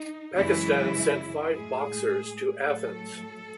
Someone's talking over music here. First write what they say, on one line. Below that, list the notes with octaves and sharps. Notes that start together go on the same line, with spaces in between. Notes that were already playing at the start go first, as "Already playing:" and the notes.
Pakistan sent five boxers to Athens.
Already playing: D#4
F#2 C#3 E3 G#3 E4
A2 G#3 G#4
A2 F#3 A3 A4